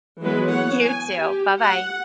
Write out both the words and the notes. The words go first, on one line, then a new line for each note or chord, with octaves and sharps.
you too, bye-bye.
E3 F#3 G#3 B3 B4
B3 C#5 F#5
G#5
G4
F#5